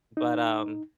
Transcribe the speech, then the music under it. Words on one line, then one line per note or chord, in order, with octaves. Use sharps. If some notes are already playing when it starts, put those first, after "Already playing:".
But, um,
D#4